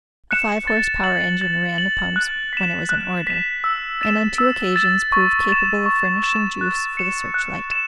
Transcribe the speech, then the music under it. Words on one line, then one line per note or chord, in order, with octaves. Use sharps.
A five-horse power engine ran the pumps when it was in order, and on two occasions proved capable of furnishing juice for the search-light.
F#6 C#7 E7
A6
F#7
A6
F#7
F#6
B6 E7
F#6
B6 E7
E6
A6 E7
E6
A6 E7
C#6
A6 E7
C#6
A6 E7
F#6
C#7 E7
F#6
E7